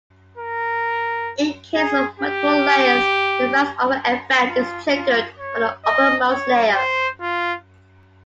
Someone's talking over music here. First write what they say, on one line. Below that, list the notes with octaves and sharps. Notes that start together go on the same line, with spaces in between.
In case of multiple layers the mouseover event is triggered by the uppermost layer.
A#4
G#4
G4
F4
F4
C#5
D#5
C#5
C5
F4